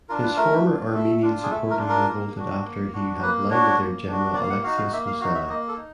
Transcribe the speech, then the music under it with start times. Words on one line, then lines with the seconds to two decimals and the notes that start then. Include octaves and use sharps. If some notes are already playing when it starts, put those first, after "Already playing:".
His former Armenian supporters revolted after he had blinded their general Alexios Mosele.
0.09 D4 F4 A#4
0.23 B4
0.37 A3 A#4
0.66 D4 F4
0.94 A3 A4
1.22 D4 F4
1.43 G#4
1.51 A3 A4
1.70 A#4
1.79 D4 F4
1.89 A#4
2.08 A#3
2.36 D4 F#4
2.64 A#3
2.93 D4 F#4
3.22 A#3 B4
3.50 D4 F#4 C#5
3.78 A#3
4.07 D4 F#4
4.35 A#3 D5
4.43 F5
4.50 F#5
4.63 D#4 F#4 F5
4.77 F5
4.92 A#3 E5
5.06 F5
5.20 F#4 F5
5.24 D#4
5.35 E5
5.49 A#3 D#5
5.68 A4
5.77 D#4